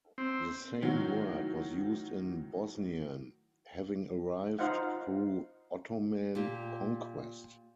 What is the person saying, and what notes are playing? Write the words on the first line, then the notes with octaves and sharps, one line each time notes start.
The same word was used in Bosnian, having arrived through Ottoman conquest.
C4
A2 D#3 F#3
D#4 F4 C5 D#5 F5 F#5
A#2 G4